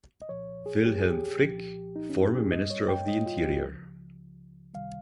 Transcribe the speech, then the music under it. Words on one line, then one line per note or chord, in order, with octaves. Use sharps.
Wilhelm Frick, former Minister of the Interior.
D#5
C2 A#2 F3 C#5
G#4
G4
G#4
G4
C2 A#2 F3
D#4
C#4
G4
G#4
G#2 G3 D#5
C#5
G5
D#5
F4
G4
C#2 C#3 F3
C#2 C3 D#3 G3 F5